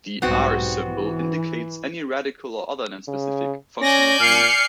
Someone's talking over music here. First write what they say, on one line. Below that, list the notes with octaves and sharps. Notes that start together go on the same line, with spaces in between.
The "R" symbol indicates any radical or other non-specific functional group.
B1 G#2 G3 B3 C4 F#4
E3
C#3
C#4 D5 G#5 G6 A#6
A#2 F6 C7 C#7